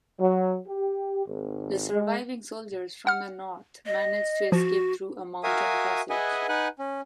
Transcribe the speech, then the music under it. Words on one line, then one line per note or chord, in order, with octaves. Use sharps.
The surviving soldiers from the North manage to escape through a mountain passage.
F#3
G4
G#1
G#3
F#5 F6
D#5
F3 F#4
F#4 A#4 E5 F5 G#5 D#6
G#4 B4 D#5 E5 F#5 G#5
D#4 B4 F#5 G#5 F#6
C#4